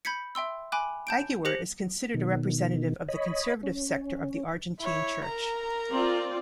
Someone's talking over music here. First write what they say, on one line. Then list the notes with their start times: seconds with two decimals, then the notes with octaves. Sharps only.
Aguer is considered a representative of the conservative sector of the Argentine Church.
0.05 B5 G6 G#6 B6 C#7
0.35 E5 G5 C6 E6
0.72 G5 G#5 B5 D6 F#6
1.07 A5 G6 D7
1.45 G4 C5 F#6 A#6 C#7 F#7
2.14 B2 D#3
3.08 C#5 D#5 B5
3.63 C#4
4.80 E4 C#5
5.25 A#4 A#5
5.91 C4 F4 D5